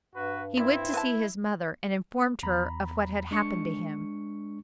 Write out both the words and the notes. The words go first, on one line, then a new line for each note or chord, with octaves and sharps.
He went to see his mother, and informed her of what had happened to him.
G2 F#4 B4
C4 E4 D5
B4 F#5 A5
E2 A#5 B5
G#3 D4 C#6 C#7